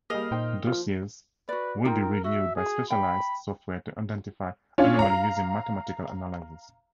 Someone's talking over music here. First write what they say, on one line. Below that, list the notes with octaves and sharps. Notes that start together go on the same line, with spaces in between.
Dossiers would be reviewed by specialized software to identify anomalies using 'mathematical analysis.
G3 A#3 G#4 D#5 F6
A#2 D#4 C5 G5
F3 F4
F#4 B4 D5
D#4 F4 A#4 G5
F#4 E5
G#4
G5 B5
C#4 D4 F4 C#5
F5 A#5